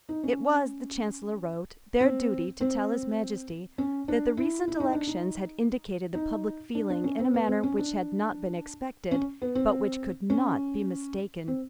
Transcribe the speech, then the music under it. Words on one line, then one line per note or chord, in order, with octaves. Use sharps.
It was, the Chancellor wrote, their duty to tell His Majesty that the recent elections had indicated the public feeling in a manner which had not been expected, but which could not be mistaken.
D#4
C#4
C4
C4
C#4
D4
E4
E4
D#4
D4
D#4
D#4
D4
D4
C#4
C4
B3
C4
C#4
D4
C#4
B3
C4
C#4
C4